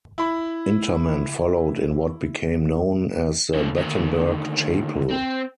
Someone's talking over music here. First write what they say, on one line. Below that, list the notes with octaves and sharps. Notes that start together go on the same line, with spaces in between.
Interment followed in what became known as the Battenberg Chapel.
E4 B5
F#2 D3
D2 D#3
C4